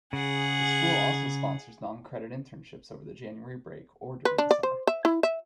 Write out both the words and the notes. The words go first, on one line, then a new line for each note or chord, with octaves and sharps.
The school also sponsors non-credit internships over the January break or during the summer.
C#3 G#4 F#5
B4
D4
D5
C5
E5
E4
E5